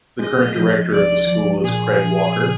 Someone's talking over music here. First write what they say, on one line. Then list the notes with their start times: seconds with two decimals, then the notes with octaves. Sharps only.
The current director of the School is Craig Walker.
0.19 G#3 D#5
0.54 F3
0.91 C2 D5
1.27 F3
1.63 A#2 G#4
1.99 F3
2.36 A#2